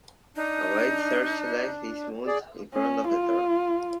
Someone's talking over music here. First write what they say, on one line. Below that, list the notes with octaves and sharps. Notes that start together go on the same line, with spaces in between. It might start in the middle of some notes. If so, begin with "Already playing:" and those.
A white searchlight is mounted in front of the turret.
D4 D#4
G#4 D5
C#4
F4